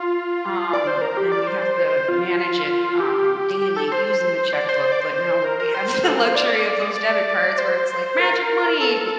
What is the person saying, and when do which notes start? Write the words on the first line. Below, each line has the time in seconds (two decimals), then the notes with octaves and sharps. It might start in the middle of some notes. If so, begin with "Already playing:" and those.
um, and you'd have to manage it, um, daily using the checkbook. But now we have the luxury of those debit cards where it's like, magic money
Already playing: F4
0.73 D5
0.87 C5
1.02 A#4
1.17 G4
1.32 D5
1.47 C5
2.08 F4
3.00 G4
3.62 G4
3.76 A4
3.92 C5
4.53 D5
4.69 C5
4.84 C5
4.92 D5
5.00 C5
5.44 A#4
5.60 A#4
5.74 C5
6.03 A4
6.15 A#4
6.25 C5
6.35 D5
6.96 D5
7.58 C5
8.20 A#4
8.80 A4